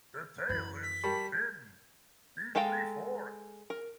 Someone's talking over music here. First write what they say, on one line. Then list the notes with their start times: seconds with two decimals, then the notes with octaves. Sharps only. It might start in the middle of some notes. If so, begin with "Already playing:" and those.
The tail is fin deeply forked.
0.49 F#2 E3 B5
0.83 B6
1.04 G3 G4 A#4 A5 B5 C#6
2.55 G#3 A4 F5 G5 A#5
3.70 A#4